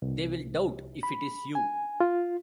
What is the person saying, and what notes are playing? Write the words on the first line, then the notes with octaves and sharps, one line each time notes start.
They will doubt if it is you.
C2
B5
G#5
F4